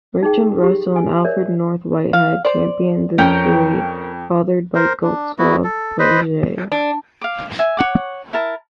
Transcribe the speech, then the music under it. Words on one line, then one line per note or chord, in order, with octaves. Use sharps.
Bertrand Russell and Alfred North Whitehead championed this theory fathered by Gottlob Frege.
D#4 G#4 G5
G4
G#5
A#4 C#5 D5 E5
F5
C5 D5
F2 C#4 A#4 G5
A#4 C5
D4
B3 E4 F#4
A4
B4 C5 D#5 B5
D4
F5 D6
E5 G#5
C#5 F#5 D6
E4 A#4 A5